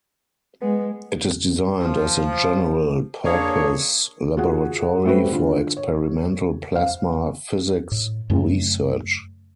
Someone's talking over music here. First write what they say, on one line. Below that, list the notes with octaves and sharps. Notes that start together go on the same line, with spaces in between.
It is designed as a general-purpose laboratory for experimental plasma physics research.
G#3 B3
F3
A#3 D4 G#4 C#5
F4 F#4 G#4 F#5
G3 A3 C4 F#4 B4
D3 F4
C#5
C5 F5
A2
F#2 C#3 A3